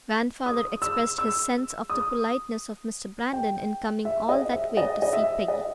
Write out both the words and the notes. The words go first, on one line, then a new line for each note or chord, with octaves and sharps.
Grandfather expressed his sense of the politeness of Mr. Brandon in coming all that way to see Peggy.
D#6
E6
E6
D#6
G5
E5
D#5
E5
D#5
D#5
E5
D#5